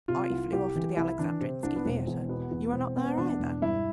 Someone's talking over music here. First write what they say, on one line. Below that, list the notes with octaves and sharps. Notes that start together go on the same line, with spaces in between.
I flew off to the Alexandrinsky theatre: you were not there either.
C3 F4
C2
C2 G4
E3
C2 E4
E3 D4
C3 C4
C2 D4
B3
E1 C4
E2
B2 B3
E2
E1 C4
B3
C4
E2 D4
E1
G2 E4